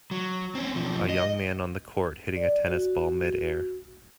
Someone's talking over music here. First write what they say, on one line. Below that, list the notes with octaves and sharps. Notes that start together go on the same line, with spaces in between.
A young man on the court hitting a tennis ball midair.
F#3
C4 C#4
B1 F3
D#5
D5
F#4